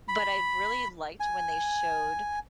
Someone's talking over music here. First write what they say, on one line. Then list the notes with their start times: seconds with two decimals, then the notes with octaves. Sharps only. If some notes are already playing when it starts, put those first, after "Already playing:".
but I really liked when they showed
0.08 B5
1.20 G#5